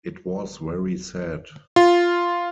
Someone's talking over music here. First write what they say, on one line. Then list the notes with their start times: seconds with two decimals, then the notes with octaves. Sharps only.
It was very sad.
1.76 F4